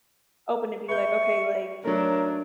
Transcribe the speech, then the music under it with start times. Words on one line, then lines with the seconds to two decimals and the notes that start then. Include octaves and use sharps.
open to be like, "Okay, like,
0.89 B4 E5 C#6 G6
1.85 F#3 A3 D4 A#4 C#5